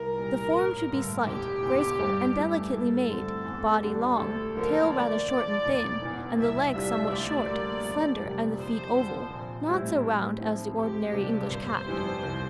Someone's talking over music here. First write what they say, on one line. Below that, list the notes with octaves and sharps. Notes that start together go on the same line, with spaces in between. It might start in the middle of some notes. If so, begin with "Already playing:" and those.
The form should be slight, graceful, and delicately made, body long, tail rather short and thin, and the legs somewhat short, slender, and the feet oval, not so round as the ordinary English cat.
Already playing: C2 A#4
A#2 G3
A1
G2 D3 A3
E1 G4
E2 D3
G2
E3 A3 E4
G2 A4
D3 A3 C4
E2
D3 G3 D4
D2 A4
D3 F3 A#3 A#4
D2 D5
D3 F3
E1
E2 E3
C2 E5
C3 G3 D4 F4 E5
D2 D5
D3 G3 A#3
F2
C3 G3 A#3 D4
F2 C5
D3 F3
A#1
A2 G3 C4 E4
A2
F3 C4 E4
D2 G4
C3 G3 D4 F4
G1 C5
F2 E3 G3
C2